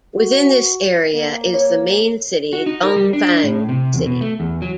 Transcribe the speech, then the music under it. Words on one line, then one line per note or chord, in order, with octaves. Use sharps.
Within this area is the main city, Dongfang City.
F#4
A#3
C#5
F#4
D#4
A#4
G3
D4
A2
C3
E2
B2
A3
E2
F#3